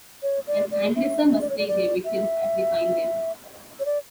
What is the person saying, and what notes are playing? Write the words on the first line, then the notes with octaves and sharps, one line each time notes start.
An aggressor must take their victims as they find them.
C#5
D5
D5
E5
E5
D5
C#5
D5
D5
E5
C#5
D5